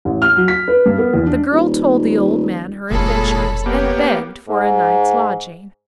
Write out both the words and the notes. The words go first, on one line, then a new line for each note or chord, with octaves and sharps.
The girl told the Old Man her adventures, and begged for a night's lodging.
A1
F6
F#3
B6
B4
G2
B3
E2
D4
D#1
F1 F2 A#2 G#3 A4 C#5 B5
A#3 B3 G4 C#5
G#2